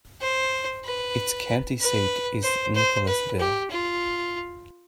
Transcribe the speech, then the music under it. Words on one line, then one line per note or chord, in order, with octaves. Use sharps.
Its county seat is Nicholasville.
C5
B4
B4
C5
C5
B4
G4
F4